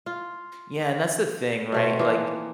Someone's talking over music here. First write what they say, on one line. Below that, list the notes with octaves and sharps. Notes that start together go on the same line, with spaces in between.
Yeah, and that's the thing, right? Like,
F4
B2 A3 C4
E3 F3 A#3 D#4